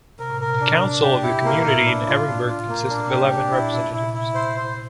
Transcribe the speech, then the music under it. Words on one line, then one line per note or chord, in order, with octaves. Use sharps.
The Council of the community in Ehrenburg consist of eleven representatives.
C3 A#4
A2
C3
A#2 A#4
C3
D4
D4
G4
E4
A#2 A#3
A2
E4
A2
A2 D4
F4
D4
F4
A#2 A#3
D4
G4
D4
A#2 E4
A#2 E4
A#2
C3 E4
E4
C5
C5